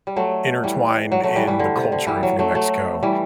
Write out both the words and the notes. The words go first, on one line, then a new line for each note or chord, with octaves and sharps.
intertwined in the culture of New Mexico
G3
F#3 A3
E3 G3
F#3
F#3 A3
E3 G3
E3 G3
D3
C3
D3
E3 G3
F#3
F#3 A3
F#3 A3
E3 G3